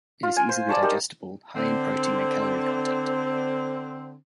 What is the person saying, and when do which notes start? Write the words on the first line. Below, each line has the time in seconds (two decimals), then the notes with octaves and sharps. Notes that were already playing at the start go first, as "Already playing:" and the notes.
It is easily digestible, high in protein and calorie content.
0.23 F4
0.37 G#5
0.49 C5
0.69 D5 D#5 A5 C#6
0.82 D#4 G4 A#4
1.56 D3 C4